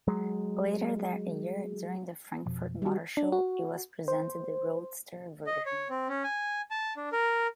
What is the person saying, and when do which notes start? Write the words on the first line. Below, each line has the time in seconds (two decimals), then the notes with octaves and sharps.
Later that year, during the Frankfurt Motorshow it was presented the roadster version.
0.07 F#3 G#3
2.46 F2 B2 F3
2.82 G3 F#4
3.17 D4
3.32 F#4
4.08 C5
5.46 D#5
5.66 C#5
5.90 C4
6.09 C#4
6.24 G#5
6.71 A5
6.97 D4
7.12 A#4